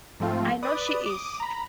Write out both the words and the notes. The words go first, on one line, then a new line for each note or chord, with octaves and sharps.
I know she is.
G#2 F3 A3 C4 F4
B4 D5 D#6
D6 D#6
A#5 B5